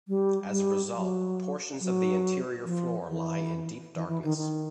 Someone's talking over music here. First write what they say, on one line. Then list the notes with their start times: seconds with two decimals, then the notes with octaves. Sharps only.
As a result, portions of the interior floor lie in deep darkness.
0.08 G3
0.50 G3
0.94 F#3
1.80 F#3
2.65 F3
3.08 E3
3.95 E3
4.08 E3
4.24 D#3
4.37 D#3